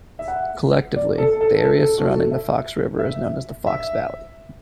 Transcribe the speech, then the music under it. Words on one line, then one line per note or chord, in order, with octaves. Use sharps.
Collectively, the area surrounding the Fox River is known as the Fox Valley.
E5
F#5
D5
A4
A4
A4
A4
F#4
A4
E5
E5
E5